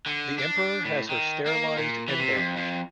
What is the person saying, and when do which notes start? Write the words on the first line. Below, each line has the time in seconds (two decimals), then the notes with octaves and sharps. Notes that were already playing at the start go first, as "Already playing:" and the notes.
The emperor has her sterilized and banished.
0.06 D3
0.38 D4
0.84 A2
1.09 D#3
1.46 A#3
1.77 A#2
2.08 E3
2.20 C3
2.37 F2
2.56 F2